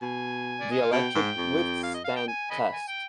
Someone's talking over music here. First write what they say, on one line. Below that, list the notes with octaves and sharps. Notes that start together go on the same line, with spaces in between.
Dielectric Withstand Test.
B2 G#5
D5
D#5
F5
B2 G5
G#2
F2
F5
D#5
F5
G5
G#5
D#5 G#5 B5
G#5
G5